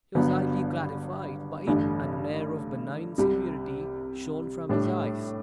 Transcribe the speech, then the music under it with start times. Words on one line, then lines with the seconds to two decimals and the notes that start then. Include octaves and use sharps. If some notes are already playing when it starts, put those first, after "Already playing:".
He was highly gratified by it, and an air of benign severity shone from his eyes.
0.15 G1 G2 F#3 B3
1.67 A1 G2 D3
3.18 C2 C3 G3
4.69 A2 G3 D4